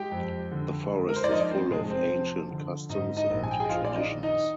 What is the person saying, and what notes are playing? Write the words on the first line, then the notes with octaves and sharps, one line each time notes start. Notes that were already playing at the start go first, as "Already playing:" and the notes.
The Forest is full of ancient customs and traditions.
Already playing: G#3 G4 G5
F2
D3
G#3
A#4
C5
D5
F3 D#4 D#5
C4 C5
F1 G#3 G#4
C4 C5
F3
D3
G#2 D#4 D#5
D#4 D#5
A#1
G#5
G5
G#4 G#5
D#5
A#1 F4 F5
D5
D#4 D#5
D#3
D#4 D#5